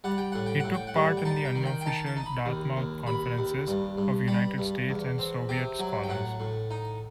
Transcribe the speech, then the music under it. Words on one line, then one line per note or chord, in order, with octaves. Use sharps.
He took part in the unofficial Dartmouth Conferences of United States and Soviet scholars.
G3 F#5
G5
A2 F#5
G5
A2 F#5
G5
F#5
G3
G5
D#4 A5
G5
D#3
G5
G5
D#4 A5
A5
D#4
B5
D#2
D#2
D#2 B5
D#2
G2
G2
G3 B5
G2
E2
C4
C3 G5
F#3
G5
A2 F#5
A2
D#4